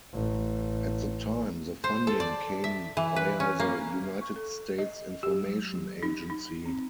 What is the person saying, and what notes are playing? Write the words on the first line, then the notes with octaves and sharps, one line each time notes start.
At the time the funding came via the United States Information Agency.
A1
C5
A4
D5
E5
E3
B4
C#4
A#3
C#6
A4
D#5
G4
F#3
F#3
D#4
D#4
C4